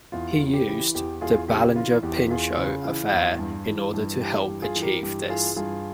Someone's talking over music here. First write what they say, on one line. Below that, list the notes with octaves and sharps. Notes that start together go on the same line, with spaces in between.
He used the Ballinger-Pinchot affair in order to help achieve this.
E2 F4
C#3
G4
E3
E2 G4
E2 F4 G#4
C#3 G4
E3 F4
E2 G4
E2 F4 G#4
C#3
E3
E2
G2
E3
G2
E3 G4
G4
G2
F4 G#4
E3
G4 A#4
G2 G4
E3 F4 G#4
G2 F4 G#4